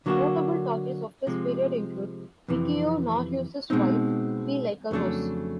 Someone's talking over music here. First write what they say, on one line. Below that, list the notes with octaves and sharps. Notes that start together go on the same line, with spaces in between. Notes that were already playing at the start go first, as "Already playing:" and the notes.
Notable talkies of this period include Mikio Naruse's Wife, Be Like A Rose!
D3 F#3 A#3 D4 F#4
C3 F3 G#3
F2 C3 E3
B2 G#3 C4 D#4
F2 C#3 F#3 A3 D4